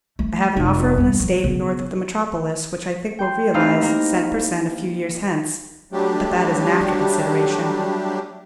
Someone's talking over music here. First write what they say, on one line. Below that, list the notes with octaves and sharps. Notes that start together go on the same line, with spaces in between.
I have an offer of an estate north of the metropolis, which I think will realize cent per cent a few years hence: but that is an after consideration.
A3
F1 D#4
E2 G2
F3 F#3
C#3 B3
G5 C6
A3 C4 D#4 E4 G4 F5
A#3 A#4
F#3 G3 A3 D4 G4